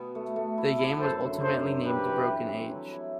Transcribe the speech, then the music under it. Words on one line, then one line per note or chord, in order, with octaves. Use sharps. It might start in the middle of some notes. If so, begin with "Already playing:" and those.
The game was ultimately named "Broken Age".
Already playing: B2 B3
A3
A3
E4
E4
F#2 A4 C5
D3
F#2 A4 C5
F#2
C4 G4 B4
E3
G2
C4
F#3
E4